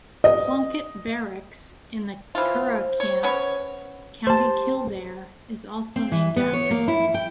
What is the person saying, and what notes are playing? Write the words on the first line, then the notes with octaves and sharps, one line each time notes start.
Plunkett barracks in the Curragh Camp, County Kildare is also named after him.
D#5
E3 F4 C5
C#5
B3 C#4 C#5
G4 C5 A5
C4
E3
B3
C#5
A#3
E4
G5